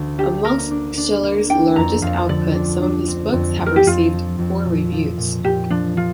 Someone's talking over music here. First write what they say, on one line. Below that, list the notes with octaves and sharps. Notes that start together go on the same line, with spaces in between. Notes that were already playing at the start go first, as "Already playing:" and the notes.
Amongst Schiller's large output, some of his books have received poor reviews.
Already playing: D2
D4 G4
A#3 A#4
D4
D4
A#3
D4 G5
F2 A#5
F2 F5
D3 D5
D4
D4
C4
F2
F2
A#4
G4
F2 F4
F3
F2
A#2
F3
A#2
A#2 G4
F3 D4
F3 F4